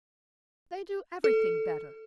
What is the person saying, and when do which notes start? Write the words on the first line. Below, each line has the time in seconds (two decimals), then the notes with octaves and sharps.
"They do everything better."
1.24 A4